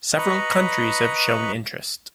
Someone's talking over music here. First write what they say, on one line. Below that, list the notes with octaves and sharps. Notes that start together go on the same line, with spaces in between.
Several countries have shown interest.
B4 D#5 A#5 B5 C#6